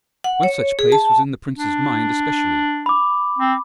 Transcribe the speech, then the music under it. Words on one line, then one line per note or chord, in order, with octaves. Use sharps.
One such place was in the prince's mind especially.
F#5
C#5
G#4
A5
D4
B5 D6
C4